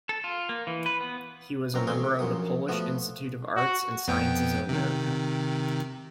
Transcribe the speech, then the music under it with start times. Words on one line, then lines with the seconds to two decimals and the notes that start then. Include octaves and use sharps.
He was a member of the Polish Institute of Arts and Sciences of America.
0.09 A4
0.24 F4
0.49 A#3
0.67 E3
0.86 B4
1.01 B3
1.74 F#2 B2 F#3 C4 A#5
1.87 A1 C3 C4 G#5 C6 D#6
2.04 C3
2.19 A#1 F#2 A#2 F#3 D#6
2.68 F3 A3 B3 F#4
3.57 F#4
4.08 F2 B3 G5
4.69 C3 D#3